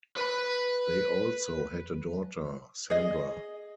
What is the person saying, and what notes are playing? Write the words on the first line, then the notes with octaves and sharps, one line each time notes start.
They also had a daughter, Sandra.
B4 B5
G#4 D#5